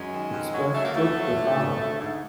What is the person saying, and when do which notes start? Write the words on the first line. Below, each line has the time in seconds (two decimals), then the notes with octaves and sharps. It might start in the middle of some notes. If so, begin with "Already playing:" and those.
It spoke truth to power.
Already playing: F#2 G#3
0.12 D#3
0.32 F2
0.54 F#3
0.74 F#3 A3
0.84 A#3
0.94 D2 A3
1.15 F#3
1.36 D3
1.56 D2
1.77 D2
1.99 G#2